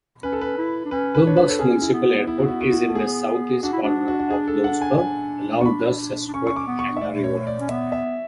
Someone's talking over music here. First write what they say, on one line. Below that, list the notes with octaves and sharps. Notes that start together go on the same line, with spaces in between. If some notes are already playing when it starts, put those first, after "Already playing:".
Bloomsburg Municipal Airport is in the southeast corner of Bloomsburg, along the Susquehanna River.
C#4 B4
A4
B4
E4
D4
C#4 B4
B4
D4 C#5
B4
A4
C#4 G#4
E4
B3
B3 E4
F#4
E4
F#4
E4
A4
G#4
D4 F#4
E4
D4 F#4
F#4
F#4
G#4
A4
F#5
G#5
D4 G#5
C#6
B5
D4
C#4 C#6
C#6
D6
B3
C#6
E5
A3 D5
C#5
D5
C#4
B3 E5
E5